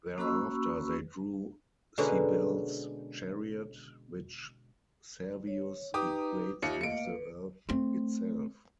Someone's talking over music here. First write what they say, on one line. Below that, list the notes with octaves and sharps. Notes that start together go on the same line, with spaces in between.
Thereafter they drew Cybele's chariot, which Servius equates with the Earth itself.
A#3 C#4 F#4 B5 C#6 E6
B2 D3 G#3 A#3 B3 C#4
C#5
D#4 G4 B4 D6 D#6
D#2 D#4 F4 G4 E5 C#7
A3 A#3 D#5 C#7 D7
B4
A3 C4